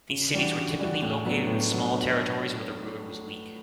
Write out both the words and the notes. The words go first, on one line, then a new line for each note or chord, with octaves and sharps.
These cities were typically located in small territories where the ruler was weak.
C#3
E3 G3 D4 F#4
C#3
E3 G3 D4 F#4
A2
F#3 B3 D4
A2
F#3 B3 D4